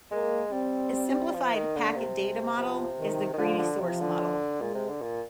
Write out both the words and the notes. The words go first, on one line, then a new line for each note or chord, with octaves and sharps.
A simplified packet data model is the greedy source model.
G#3 A#3
G3 C4
F3
D#3
D3 A#3
C3
G#3
C3 F3
D#3
D#3
D3 F3
D3
C3 F3
D3
A#2 G#3
C3
D3
A#2